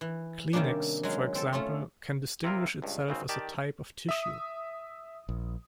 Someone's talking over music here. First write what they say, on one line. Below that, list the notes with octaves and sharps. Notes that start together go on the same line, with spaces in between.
Kleenex, for example, can distinguish itself as a type of tissue.
E3
C3 D#3 G3 A#3 C#4 D4
F#3 G#3 F5
C4 A4
A3 C#4 F4
C3 E4 F4 A#4
C#2 G2
G#1 C#3 C4
D#3 G4 D5 A5
E5 D#6
A#1